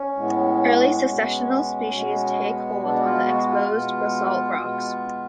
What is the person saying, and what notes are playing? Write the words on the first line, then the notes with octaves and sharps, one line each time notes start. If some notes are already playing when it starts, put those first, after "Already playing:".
Early successional species take hold on the exposed basalt rocks.
Already playing: C#4
A2 G#3 B3
B2 G#3 B3
B2 G#3 B3
B2 G#3 B3 D4
F4
F#4
F4
B2 G#3 B3
B2 G#3 B3